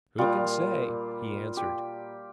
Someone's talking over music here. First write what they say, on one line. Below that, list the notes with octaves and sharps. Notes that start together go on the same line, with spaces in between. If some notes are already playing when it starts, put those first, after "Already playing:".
"Who can say?" he answered.
A#2 G3 F4
G4